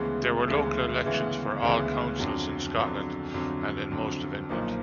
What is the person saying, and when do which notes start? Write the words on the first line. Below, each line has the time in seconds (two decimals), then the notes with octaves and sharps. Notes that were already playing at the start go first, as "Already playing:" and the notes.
There were local elections for all councils in Scotland and in most of England.
Already playing: D2 C#3 E3 G#3 B3
0.48 D2 C#3 E3 G#3 B3
1.04 D2 C#3 E3 G#3 B3
1.62 D2 C#3 E3 G#3 B3
2.19 F2 D3 F#3
2.77 F2 D3 F#3
3.34 F2 D3 F#3
3.91 F2 D3 F#3
4.49 B1 A#2 F3 A#3 D#4